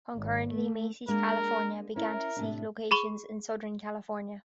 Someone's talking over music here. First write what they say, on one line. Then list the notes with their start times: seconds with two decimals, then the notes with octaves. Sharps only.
Concurrently, Macy's California began to seek locations in Southern California.
0.15 G#1
0.52 A3
1.08 G#3 A#3 D4 A#4
1.96 C#4 E4 A#4
2.37 A2 C3 D4
2.91 G#4 B5 C#6 G7